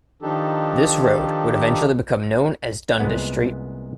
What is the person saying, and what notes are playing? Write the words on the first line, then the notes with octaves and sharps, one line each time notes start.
This road would eventually become known as Dundas Street.
D#3 F3 D4 D#4 G4 A4
C2 A#2 G#3 B3 F#5